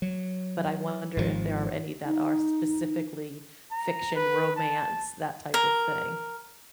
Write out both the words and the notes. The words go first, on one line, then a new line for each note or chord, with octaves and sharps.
but I wonder if there are any that are specifically fiction romance, that type of thing.
F#3
G#1 G#2 C#3 F3
D#4
A#5
B4
A5
A#4